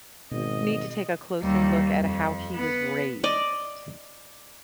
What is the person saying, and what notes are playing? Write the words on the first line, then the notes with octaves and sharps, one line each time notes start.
need to take a closer look at how he was raised.
G#1 B2 D#5
D#2 G3
F2
B3 B4
D5 D#5